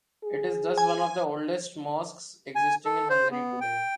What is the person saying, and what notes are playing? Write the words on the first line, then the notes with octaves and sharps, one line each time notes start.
It is thus one of the oldest mosques existing in Hungary today.
G#4
G#5
G#5
A4
C5
B3
G5